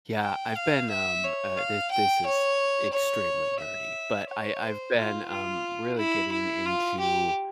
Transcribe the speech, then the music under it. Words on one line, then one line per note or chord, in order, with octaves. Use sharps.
Yeah, I've been, um, uh, thi this is extremely nerdy, but, I I've been, um, really getting into
G5
F5
E5
C#5
F5
G5
C#5
C#5
E5
C#5
C5
F4
F4
E4
E4
F4
G4